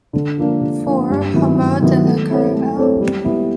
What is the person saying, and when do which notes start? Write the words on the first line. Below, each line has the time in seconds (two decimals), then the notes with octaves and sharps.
Four, Hameau de la Caravelle.
0.13 D3
0.38 F3 A#3 D4
0.61 D3
0.86 F3 A#3 D4
1.10 G2
1.34 D#3 F#3 B3 E4
1.57 G2
1.82 D#3 F#3 B3 E4
2.05 A3
2.29 C4 E4 A4 C#5
2.53 A3
2.77 C4 E4 A4 C#5
3.01 G3
3.24 B3 E4